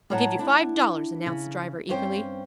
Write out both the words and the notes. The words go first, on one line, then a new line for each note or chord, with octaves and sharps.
"I'll give you five dollars," announced the driver eagerly.
A2 G#3 C#5 F#5 A5 A#5
D4 E4
C#3
G2 C4 C#4 C5 G5